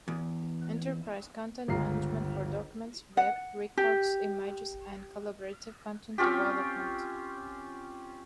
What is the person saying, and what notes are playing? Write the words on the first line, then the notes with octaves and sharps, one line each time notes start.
Enterprise content management for documents, web, records, images and collaborative content development.
E2
G1 C#2 F4 A#5 C7
F#5
G4
C4 C#4 F4 G4